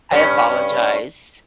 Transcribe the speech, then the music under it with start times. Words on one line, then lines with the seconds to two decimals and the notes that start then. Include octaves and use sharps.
I apologized
0.12 G2 C#4